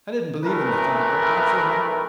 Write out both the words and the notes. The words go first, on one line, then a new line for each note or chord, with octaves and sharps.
I didn't believe in the thunderbolt, not for a minute.
B1 E3 A3 A#4 B4